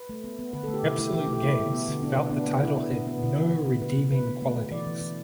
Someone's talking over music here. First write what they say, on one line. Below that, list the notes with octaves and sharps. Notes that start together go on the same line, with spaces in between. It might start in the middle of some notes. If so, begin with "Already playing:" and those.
Absolute Games felt the title had no redeeming qualities.
Already playing: B4
A3
B3
B3
D3 B4
A4
A3
G4
B2 E4
A3 E4
E3 G4
A3
G4
A3 E4
B2
B3
D3
B3 D4
B2
B3 D4
B3
B2 E4
B3
B2
B3
D3 E4
D3
B2
B2
A3 B4
B2
B2 B4
B3
A3
A3
E3 D5
E3
E3